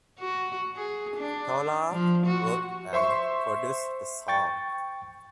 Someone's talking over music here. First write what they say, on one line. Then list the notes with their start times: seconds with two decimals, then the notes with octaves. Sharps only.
Dolla wrote and produced the song.
0.20 F#4
0.77 G#4
1.17 D4
1.92 F3
2.26 F#4
2.93 C5 E5 C6 C#6
4.28 G5 C#6 A6